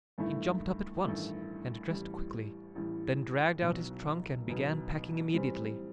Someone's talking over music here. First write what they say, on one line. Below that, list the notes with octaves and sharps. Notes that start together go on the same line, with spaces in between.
He jumped up at once and dressed quickly; then dragged out his trunk and began packing immediately.
A1 G2 D#3 A3 E4
A1 G2 D#3 A3 E4
A1 A2 G3
A1 A2 G3
B1 B2 F#3
B1 B2 F#3
A2 E3 G3 C4